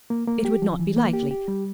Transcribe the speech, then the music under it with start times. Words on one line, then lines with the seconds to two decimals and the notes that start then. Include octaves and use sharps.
It would not be likely.
0.10 A#3
0.27 A#3
0.45 G4
0.62 F3
0.80 E3
0.97 A#3
1.13 G4
1.31 G4
1.48 G3